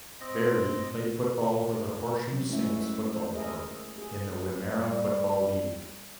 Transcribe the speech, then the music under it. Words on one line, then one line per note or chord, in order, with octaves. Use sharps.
Berry played football for the Horsham Saints Football Club in the Wimmera Football League.
C4 D#5
F3 F#3 C#4
G#3 A3 C#4 E4 E5
B4 E5
C5
G#4 A#4 D#5 E5
G#4
G3